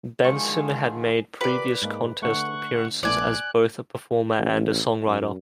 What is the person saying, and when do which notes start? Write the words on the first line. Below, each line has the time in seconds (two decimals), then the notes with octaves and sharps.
Benson had made previous contest appearances as both a performer and a songwriter.
0.24 D3 D#3 F3 G#3 G#4 C#6
1.41 F4 G4 A#4 B4 D5
1.82 G#2 G#3 A#3
2.22 D3 A3 F#5 C#6
3.03 A#1 A3 B3 D5 G#5 F#6
4.39 A1
5.06 F#2